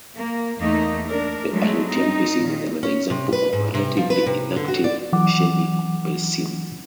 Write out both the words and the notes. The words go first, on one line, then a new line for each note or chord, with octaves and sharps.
The Aleutian Basin is another example of a relatively inactive oceanic basin.
A#3
E2 A3 A#3 D#4
D4 A#4
F#3 G#3 A3
C4 D#4
A#2 D#3
C#4
C3
B4
G#2
C3
F3
B4
C3
D3
F#4
D5
E3 F#3 F#5 D6